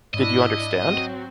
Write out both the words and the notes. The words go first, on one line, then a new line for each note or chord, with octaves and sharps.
Did you understand?
G#2 D4 E4 D#5
F#3 C4 F#4